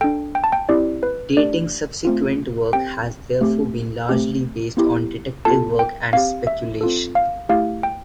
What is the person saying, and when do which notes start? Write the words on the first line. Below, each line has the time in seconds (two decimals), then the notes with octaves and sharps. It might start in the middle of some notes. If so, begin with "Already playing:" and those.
Dating subsequent work has therefore been largely based on detective work and speculation.
0.01 D4 A4 G5
0.35 G5
0.44 A5
0.52 G5
0.69 C4 E4 G4 D5
1.03 B4
1.37 A3 D4 G4 D5
2.05 A3 C4 F4
2.73 C4 G4 G5
3.41 A3 C4 G4
4.09 A3 C4 G4
4.77 B3 E4 G4
5.45 B3 F4 A4 A5
5.79 G5
6.13 C4 G4 F5
6.47 E5
6.81 C4 F4 A4
7.15 F5
7.49 A3 E4 G4 F5
7.83 G5